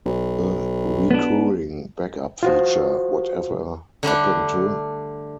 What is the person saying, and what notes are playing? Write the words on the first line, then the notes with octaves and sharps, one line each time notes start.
A recurring back-up feature Whatever Happened to...?
B1
B3 D4
F4 F#4 C5
D3 G3 A3 D4